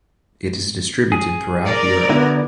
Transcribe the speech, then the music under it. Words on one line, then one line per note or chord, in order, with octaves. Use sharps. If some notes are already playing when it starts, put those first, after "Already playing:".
It is distributed throughout Europe.
G#4
A#4 D5
D3 B3 E4 F#4